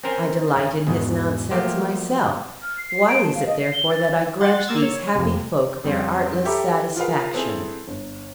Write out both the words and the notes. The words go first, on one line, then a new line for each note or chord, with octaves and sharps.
I delight in his nonsense myself; why is it therefore that I grudge these happy folk their artless satisfaction?
C4 C#4 A#4 C5 G5 G#5
E2 G#2 B2
F3 F#3 A3 A#3 G4 C5
F6
C7
C7
D7
A5
F5
D#5
C7
G7
A6
F#5 C6 A6
A#3 E6 G#6 A6
C#5
F2 C3
F2 G3 C4 C#4
G4 A4 E5 A#5 B5 D6
F4 G#4 A#4 B4 F5
C4 E4 G#4 A4 B4
G1